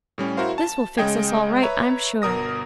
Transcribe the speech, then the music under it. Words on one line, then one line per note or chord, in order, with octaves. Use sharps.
"This will fix us all right, I'm sure."
A2 G3 C#4
E4 F#4 A#4 C5 F5
A5
C#3 G#3 D#5 G5 G#6
B4 C#5 E5 A#5
G1 B2 A#4 D#6 A#6